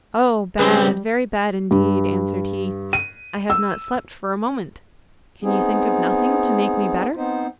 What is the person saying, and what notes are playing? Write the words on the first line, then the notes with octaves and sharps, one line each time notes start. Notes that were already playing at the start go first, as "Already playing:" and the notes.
'Oh, bad; very bad indeed,' answered he; 'I have not slept for a moment. Can you think of nothing to make me better?'
C#2 G3 C4 G#4 B4
G2
D#7
E6
B3 C4 D#4 G#4
B3 C4 D#4 C5